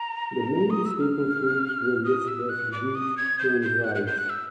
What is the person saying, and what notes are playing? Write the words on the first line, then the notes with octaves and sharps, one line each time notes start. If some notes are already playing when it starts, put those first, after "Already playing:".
The main staple foods were listed as wheat and rice.
Already playing: A#5
D#6
E6
F6
D#6
E6
F#6
D6
D#6
G#6
G6
G6
F#6
F#6
G6
F#6
E6